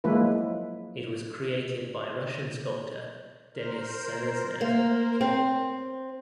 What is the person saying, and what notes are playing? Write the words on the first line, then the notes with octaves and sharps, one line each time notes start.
It was created by Russian sculptor Denis Seleznev.
F3 F#3 G#3 A#3 E4 B4
A#4 C5
A#3
C4